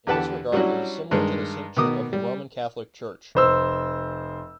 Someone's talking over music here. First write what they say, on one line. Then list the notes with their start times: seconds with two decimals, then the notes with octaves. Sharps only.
In this regard it is similar to the cincture of the Roman Catholic Church.
0.07 E2 D3 G4 B4 F#5 A5
0.52 F#3 G3 C#4 D4 E4 F#4
1.11 G2 D#3 G#3
1.76 B2 D#3 B3 D6 D#6
2.13 G3
3.35 F1 C5 E6